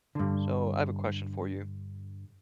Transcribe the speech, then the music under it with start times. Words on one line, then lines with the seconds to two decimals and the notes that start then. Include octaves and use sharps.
So, I have a question for you.
0.15 G2 D3